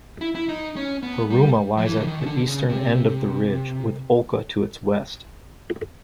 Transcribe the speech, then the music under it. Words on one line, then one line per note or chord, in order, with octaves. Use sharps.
Paruma lies at the eastern end of the ridge, with Olca to its west.
E4
E4
D#4
C#4
B3
G3
F3
E3
D3
D#3
C#3
D3
C#3
C3